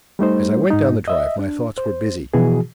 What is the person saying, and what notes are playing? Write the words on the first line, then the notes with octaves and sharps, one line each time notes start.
As I went down the drive, my thoughts were busy.
G3 A3 D#4 C5
G#2 D#4
D#5 E5
D4
C5
B2 E3 F3 F#4 G#4